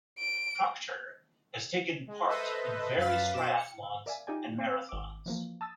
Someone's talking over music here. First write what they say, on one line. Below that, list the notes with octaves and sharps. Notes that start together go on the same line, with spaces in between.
Procter has taken part in various triathlons and marathons.
D7
G#3
A4 B4 C5 D#5 E5
F#2 B4 F5 A6 B6
B2 D6 E7
C#7
A#4 D5 E5 F5 G#5
D#4 F4 G4 D5 G5 G#5
C4
G#1 D6
E3 F3 A#3
A5 D#6 E6 A6